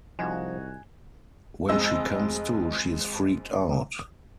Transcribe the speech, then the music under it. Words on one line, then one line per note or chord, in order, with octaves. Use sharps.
When she comes to, she is freaked out.
C2 F3 D#4 F#4 G#5 F#6 G#6
F2 G#3 D#5 E6